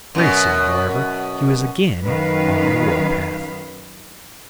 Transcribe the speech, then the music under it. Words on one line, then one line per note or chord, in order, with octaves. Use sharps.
Very soon, however, he was again on the war path.
F#2 B2
F#2 D#3 B4 F5